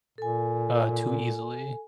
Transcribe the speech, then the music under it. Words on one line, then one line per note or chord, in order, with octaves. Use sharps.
uh, too easily.
A#2 A4 G#5